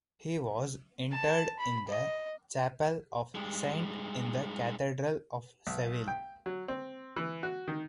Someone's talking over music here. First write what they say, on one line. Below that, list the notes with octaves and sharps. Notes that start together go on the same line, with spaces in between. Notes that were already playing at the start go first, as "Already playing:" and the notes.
He was interred in the chapel of Saint in the Cathedral of Seville.
A5
B5
D#5
G2 G#3
B1
G5
F#3
C4
E3
F#4
D#3